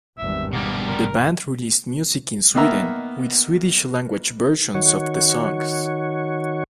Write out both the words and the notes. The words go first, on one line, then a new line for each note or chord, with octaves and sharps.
The band released music in Sweden with Swedish language versions of the songs.
G#1 E2 G2 E5
B2 G3 A#3
A#4
B2 D#3 A#3 B3 E5 A#5
D#3 F#4 C#5